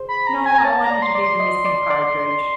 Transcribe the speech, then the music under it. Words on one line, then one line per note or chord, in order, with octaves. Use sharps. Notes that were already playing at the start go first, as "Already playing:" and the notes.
No, I wanted to be the missing Partridge.
Already playing: G#4 C5
B5
A#5
G#5
A#5
C#5 A5
A#5
D5
C6
D5
C6
D#5
D5
D5